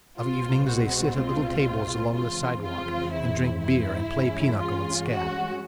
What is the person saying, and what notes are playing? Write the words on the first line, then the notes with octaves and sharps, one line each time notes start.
Of evenings they sit at little tables along the sidewalk and drink beer and play pinochle and scat.
C2 B2 G#3 C4 F4
F#4
F4
F2 C#3 E3 G#3 C4 F4
F4
E4
E4
G2 E3 G#3 C#4
F4
F#4